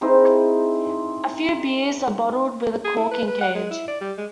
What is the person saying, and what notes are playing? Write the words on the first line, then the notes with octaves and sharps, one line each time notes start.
A few beers are bottled with a cork and cage.
C4 D#4 E4 G#4
G#4
E4
B4
B4
F#5
G#3
E4
D5
G3
G#3